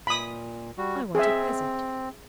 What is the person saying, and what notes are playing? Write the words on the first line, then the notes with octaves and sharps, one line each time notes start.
I want a present.'
A#2 B5 D#6
G3 F#4
C4 G#4 E5